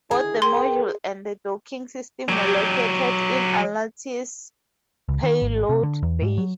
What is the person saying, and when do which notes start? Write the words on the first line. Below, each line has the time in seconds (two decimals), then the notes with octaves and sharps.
Both the module and the docking system were located in "Atlantis"'s payload bay.
0.11 D3 D#3 E4 G#4
0.42 G4 A#4 G5 C6
2.29 F#3 G4
5.09 C#2
5.23 D#3
5.42 G#1
5.69 C3
5.83 D3
6.03 E2
6.22 G#2
6.38 F#3